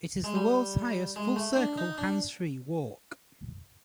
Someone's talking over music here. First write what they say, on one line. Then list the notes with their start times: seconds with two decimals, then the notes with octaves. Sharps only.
It is the world's highest full-circle, hands-free walk.
0.24 G#3
0.35 G3
1.16 G#3
1.36 A3
1.56 D4
1.78 D#4
1.98 D4